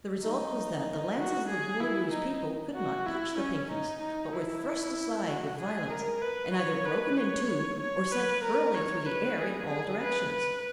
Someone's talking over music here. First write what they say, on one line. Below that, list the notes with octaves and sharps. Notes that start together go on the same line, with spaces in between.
The result was that the lances of the Boolooroo's people could not touch the Pinkies, but were thrust aside with violence and either broken in two or sent hurling through the air in all directions.
D#4
F#4
G#4
E4
D#4
F#4
E4
C#4
D#4
D#4
E4
F#4
G#4
A#4
B4
C#5
B4
C#5
C#5
B4
A#4
C#5
B4
G#4
G#4
B4
B4